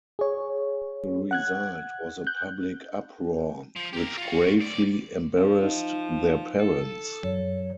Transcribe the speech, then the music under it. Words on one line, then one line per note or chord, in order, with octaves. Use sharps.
The result was a public uproar which gravely embarrassed their parents.
G#4 C#5
F#5 F#6 G#6
F#6 G6
F3
G4 A#4
F4 F#4
B1 D5
F3
D#4
A4
F#2 C#5